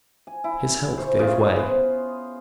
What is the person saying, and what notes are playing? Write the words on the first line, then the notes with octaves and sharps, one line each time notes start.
His health gave way.
G#5
E4
C5 C#6
C#3 F4 G#4
B3 C5